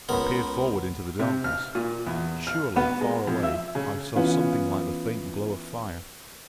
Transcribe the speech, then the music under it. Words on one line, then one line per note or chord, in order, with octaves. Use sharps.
I peered forward into the darkness: surely, far away, I saw something like the faint glow of fire.
C#2 B3 A#4 B5
C3
F6
A#2
E2
F6
B3
G#3
F2
E5
C#3
E3 B3 C#4 F4